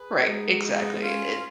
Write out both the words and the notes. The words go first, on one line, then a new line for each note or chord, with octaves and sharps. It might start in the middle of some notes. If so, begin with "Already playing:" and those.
Right. Exactly. It,
Already playing: G#4 B4
G#3 B3 D#4
B3 D#4
C#4 F4